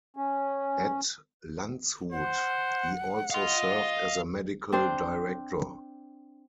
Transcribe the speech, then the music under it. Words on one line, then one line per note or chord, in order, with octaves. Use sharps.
At Landshut, he also served as a medical director.
C#4
C5 F#5
D#5 F5 C6
C4 D4 C5